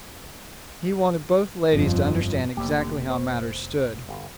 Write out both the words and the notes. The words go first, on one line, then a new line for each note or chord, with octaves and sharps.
He wanted both ladies to understand exactly how matters stood.
G1 F2
F1 B1 A#3 G4
D3 G3
C5
G1